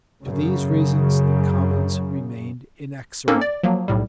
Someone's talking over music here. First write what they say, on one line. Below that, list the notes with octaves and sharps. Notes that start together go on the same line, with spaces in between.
To these reasons the commons remained inexorable.
F#2 C#3
A#3 C4 C#4 D#4 A4 A#4
D5
F3 F#3 A#3
B1 A2 G3